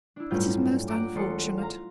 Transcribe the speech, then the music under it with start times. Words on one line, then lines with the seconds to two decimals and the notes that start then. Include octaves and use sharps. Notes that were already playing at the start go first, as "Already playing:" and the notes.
'It is most unfortunate!
0.16 D4 E4
0.30 A1 G2 F#3 F4 G5 G6
0.88 F#5 G5 A#5 D6
1.15 E1 A4 C6 D#6 C#7
1.58 F5 A#5